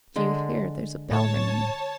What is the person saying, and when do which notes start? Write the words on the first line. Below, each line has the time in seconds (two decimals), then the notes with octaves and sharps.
Do you hear, there's a bell ringing?
0.16 D3 G#3
1.11 A2 C#5 A5